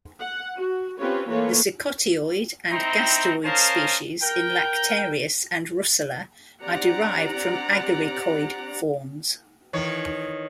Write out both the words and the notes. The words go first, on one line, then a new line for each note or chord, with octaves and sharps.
The "secotioid" and "gasteroid" species in "Lactarius" and "Russula" are derived from agaricoid forms.
F#5
F#4
C4 C#4 F4 G4 B4 C#5
E3 A3 A#3 F4 B4 C#5
C4 D#4 E4 G5 A#5 C6
C#4 A#4 C5 D#5 F5 A5
A#4 G5
C4 D4 G4 D5 F#5 A#5
D#3 E3 C#5